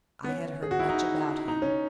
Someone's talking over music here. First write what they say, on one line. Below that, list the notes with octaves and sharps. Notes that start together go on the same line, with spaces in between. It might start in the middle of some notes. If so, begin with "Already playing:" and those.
I had heard much about him.
B3
C#4
G#4
F#4
E4
D#4
D#4
C#4